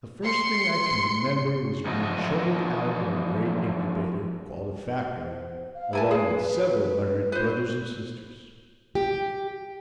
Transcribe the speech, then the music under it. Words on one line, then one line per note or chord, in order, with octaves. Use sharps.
The first thing I can remember was being shoveled out of a great incubator, called a factory, along with several hundred brothers and sisters.
C6 C#7
E2 F3 D#4 F#4 D#5
C5
F5
E4 B4 G#5 A5
G#4
F4 B4 C5
G4